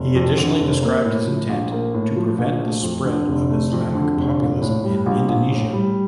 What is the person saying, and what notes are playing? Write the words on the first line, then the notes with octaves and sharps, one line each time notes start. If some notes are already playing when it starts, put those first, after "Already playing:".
He additionally described his intent to prevent the spread of Islamic populism in Indonesia.
Already playing: F1
F2
D3
F1
A#3
A2
F3
A#1
A#3
A2
F3
A#1
A3
F2
D3
F1
A3
F2
D3
F1
A#1
A2
G3
A#1
A#1
A2
G3